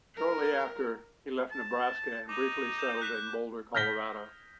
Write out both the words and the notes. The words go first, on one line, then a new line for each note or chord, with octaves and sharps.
Shortly after, he left Nebraska and briefly settled in Boulder, Colorado.
A#4
A5
D#4 D6
G6 E7
F#6 B6 E7
F6 G6 A#6 B6 G7